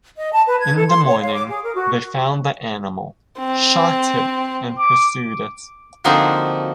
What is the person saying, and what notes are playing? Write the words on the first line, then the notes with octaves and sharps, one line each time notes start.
In the morning, they found the animal, shot it and pursued it.
D#5
A5
B4
G#6
A4
C6
C#5
F5
D6
G#4
A#4
F#4
C4
D6
D3 F3 A#3 C4 D#4 F#4